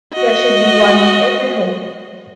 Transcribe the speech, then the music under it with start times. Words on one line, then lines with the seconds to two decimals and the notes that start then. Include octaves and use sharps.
There should be one in every home.
0.13 F#4 D#5